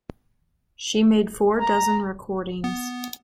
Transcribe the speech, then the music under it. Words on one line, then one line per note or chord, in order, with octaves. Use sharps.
She made four dozen recordings.
A#5
B3